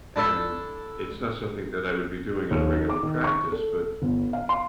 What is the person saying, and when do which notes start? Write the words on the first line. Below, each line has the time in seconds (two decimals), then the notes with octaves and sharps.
And it's not something that I would be doing on a regular practice, but,
0.16 D4 E4 A4 A5
2.51 D#2
2.73 D#4
2.89 D6
3.03 D#3
3.24 C#6
3.52 A4
4.02 G1
4.33 F5
4.49 C6